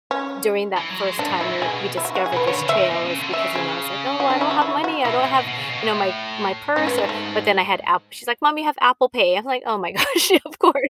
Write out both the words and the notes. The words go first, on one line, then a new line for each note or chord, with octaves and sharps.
during that first time we we discovered this trail is because, you know, it's, like, "Oh, I don't have money, I don't have" you know, "my my purse, or" but, then I had App she's like, "Mom, you have Apple Pay." I'm like, "Oh my gosh, of course."
C#4
E3
F#3
G#3
A2 D4
G#2
A2 E4
B2
G#4
E4
F#4
F#4
G#4
B2 B4
D3 C#5
C#3
E5
A2
B2
C#3
D3
B2
C#3 E5
G#4
F#4
D4
E4
F#4
E4
F#4
B2 E4
A2
B2
B2
C#3
B2
A2
G#2 C#4
B3
A3
A3